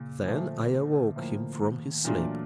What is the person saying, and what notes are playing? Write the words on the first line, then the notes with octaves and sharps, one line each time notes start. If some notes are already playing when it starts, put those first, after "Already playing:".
Then I awoke him from his sleep.
Already playing: A#2 C#3
A#2 D3 F3 A3
A2 F3 A#3
D#3
A#2 E3 F#3 A3 D4 F4